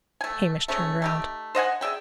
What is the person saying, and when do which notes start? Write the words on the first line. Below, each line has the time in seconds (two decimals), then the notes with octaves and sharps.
Hamish turned round.
0.21 A3 G#5
0.68 A3 C#4 G#4 C#5
1.02 A3 D#4 G4
1.55 C5 D#5 F#5 G#5
1.81 G#4 D5 E5 G5